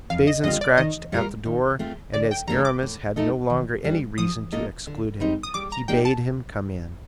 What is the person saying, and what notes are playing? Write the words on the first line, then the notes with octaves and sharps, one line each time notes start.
Bazin scratched at the door, and as Aramis had no longer any reason to exclude him, he bade him come in.
F2 F5
D#5
D3 G3 C4 F4 D#5
D5
D#3 D#5
G3 A#3 F4 A#4
D#3
A3 C4 F4
D3 D5
G5
G3 A#3 D4 A4 A#5
D6
A2
A3 D#4 A4 D#5
D#3
G3 D4
F3 D#6
A#3 F4 A4 D#5
D3
G3 C4 D#4
D#6
G3 D6
A#5
A#3 D#4 G4 D5 G5
A5